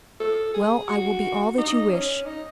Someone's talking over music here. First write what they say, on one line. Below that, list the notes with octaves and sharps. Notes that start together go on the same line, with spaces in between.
"Well, I will be all that you wish."
A4
G#4
F#4
D#4
C#4
D#4